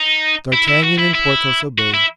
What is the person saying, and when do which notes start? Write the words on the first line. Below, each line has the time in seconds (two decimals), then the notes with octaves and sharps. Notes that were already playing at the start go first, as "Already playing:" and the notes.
D'Artagnan and Porthos obeyed.
Already playing: D#4
0.53 E4
0.68 E4
0.83 F#4
0.99 E4
1.14 E4
1.78 F#4
1.94 E4